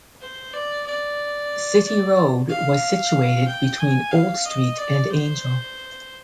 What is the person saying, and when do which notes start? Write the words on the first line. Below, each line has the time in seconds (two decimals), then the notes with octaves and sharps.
City Road was situated between Old Street and Angel.
0.21 C5
0.54 D5
0.86 D5
1.84 D5
2.49 F5
3.47 G5
3.80 G#5
4.12 F5
4.45 D#5
4.78 D5
5.11 C5